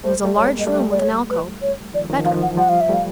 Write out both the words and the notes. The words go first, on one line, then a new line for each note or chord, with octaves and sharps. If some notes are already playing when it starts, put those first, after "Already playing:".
It was a large room with an alcove--a bedroom.
G3 A3 C5
G3 A3
C#5
G#3 A#3
D#5
G3 A3 D5
D5
C#5
B4
C#5
D#3 F3 D5
D#3 F3
D#3 F3 F5
E3 F#3 F#5
F3 G3 F#5
F5
E5
G3 A3 F5